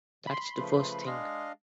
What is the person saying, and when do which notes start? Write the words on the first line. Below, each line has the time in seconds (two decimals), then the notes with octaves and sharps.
That's the first thing.
0.27 B5 C6
0.57 C#3 F3 A3 B4
1.06 G#3 D4 D#5 F5